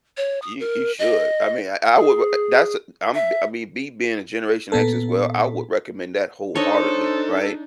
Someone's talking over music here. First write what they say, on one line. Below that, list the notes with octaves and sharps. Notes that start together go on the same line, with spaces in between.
you you should. I mean, I I would, but i that's a I'm I mean, me being a Generation X as well, I would recommend that wholeheartedly, right?
C#5
D#6
A#4
D#5
G#4
E5
A#2 B3 A4
D4 D#4 A4 C5 C#5 D#5